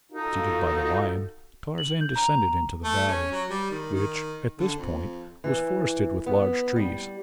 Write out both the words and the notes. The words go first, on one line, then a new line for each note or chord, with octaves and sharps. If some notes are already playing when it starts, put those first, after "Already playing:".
Preceded by the lion Tarzan descended into the valley, which, at this point, was forested with large trees.
D#4 F4 F#4 A4
F#7
G6
A#5
A3
C#4
F#3
G3
D#3
D#3
D3
F2
E3
B3
G3